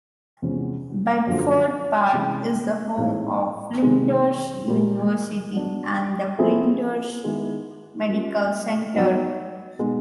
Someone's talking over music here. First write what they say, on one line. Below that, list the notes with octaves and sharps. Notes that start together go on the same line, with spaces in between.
Bedford Park is the home of Flinders University and the Flinders Medical Centre.
E2 C3 F3 G#3 C#4
F#2 D3 F3
C3 E3 G#3 C#4
A2 E3 G#3 C4 D#4
C3 D#3 G#3
A#2 G3 A#3
F#3 B3 D4 F#4
F3 A3 C4 E4 G#4
D#3 G#3 B3 E4
G3 A#3 C#4 F4
F#3 B3 D#4
B2 G#3 B3 D#4